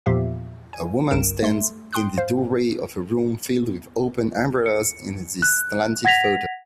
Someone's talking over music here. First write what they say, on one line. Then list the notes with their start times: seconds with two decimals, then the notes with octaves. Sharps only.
A woman stands in the doorway of a room filled with open umbrellas in this slanted photo.
0.06 E2 A#2 F3 G4 E5 F5
0.73 G#5
1.11 G1 C2 G2 A#4 D7 E7
1.43 A3 C6
1.93 G5 C6 D#6 F#6
2.18 C5 F5
4.66 C#7
5.42 F#6
6.05 F#5 G#6 A#6 B6 F7